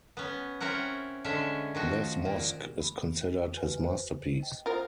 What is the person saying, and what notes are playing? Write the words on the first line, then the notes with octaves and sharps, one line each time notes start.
This mosque is considered his masterpiece.
B3 C#4
C4 C#4 E4 A#4 F#5
D3 G#3 C#4 E5
D#3 F3 F#4
A#2
B5
F#4 B4 G#5
C5
D#5 G5
E4 F4 A#4 C5 D#6